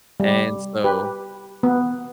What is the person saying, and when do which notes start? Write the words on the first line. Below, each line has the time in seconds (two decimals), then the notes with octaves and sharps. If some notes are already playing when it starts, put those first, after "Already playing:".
and so
0.20 G3
0.84 G4 B4
1.63 B3